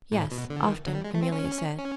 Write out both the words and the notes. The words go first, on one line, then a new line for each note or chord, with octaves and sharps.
"Yes, often," Amelia said.
A2
B2
D3
E3
D#3
F#3
G3
G#3
A3
C4
C#4
C#4